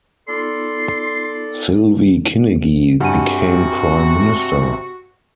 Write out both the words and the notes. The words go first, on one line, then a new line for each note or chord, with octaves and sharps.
Sylvie Kinigi became Prime Minister.
B3 D#4 F4 A4 D5 C6
G2 C3 F#4 F#5 G#5 D#7